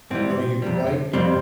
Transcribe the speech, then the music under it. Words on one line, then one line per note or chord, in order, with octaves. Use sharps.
Oh, you bi
G#2 E3 G3 C4
F2 C3 G3
F2 C3 G3 C4